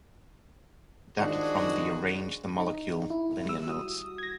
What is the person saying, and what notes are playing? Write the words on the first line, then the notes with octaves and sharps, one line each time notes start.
Adapted from the "Arrange the Molecule" liner notes.
D#3 F3 G#3 D4 F#4 G#4
D#4
E4
G3 E6
F#4 D#6
G#6 A#6